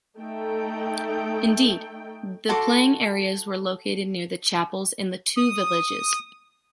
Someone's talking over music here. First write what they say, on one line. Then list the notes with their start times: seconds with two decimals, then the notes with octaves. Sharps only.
Indeed, the playing areas were located near the chapels in the two villages.
0.18 A3 D#4 A4 G5
2.49 F#4 A4 C6 D6
5.37 D#6